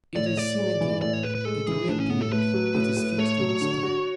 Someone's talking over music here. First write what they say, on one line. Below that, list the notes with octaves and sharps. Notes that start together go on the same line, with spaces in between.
It is seen again, it reappears, it is fixed in the sky.
A2 D5
C#5
A2 D5
G#3
E3
A2 D5
C#5
A2 B4
B4
G#3 A4
E3 G#4
A2 D4
C#4
A2 B3
A4
A3 B4
F#3
A2
A2
A3 C#5
F#3
D3
F#4